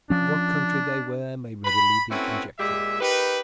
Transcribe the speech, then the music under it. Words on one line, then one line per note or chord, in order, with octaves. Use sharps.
Of what country they were may readily be conjectured.
F3 C#4 D4
B5
A3 C4 C#4 E4 F#4 B4
A#2 G#3 G4 E5
D#4 G4 A#4 B4